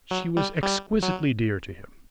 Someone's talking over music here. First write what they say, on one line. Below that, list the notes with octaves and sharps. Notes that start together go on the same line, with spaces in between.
She was exquisitely dear to him.
F#3
G3
G3
F#3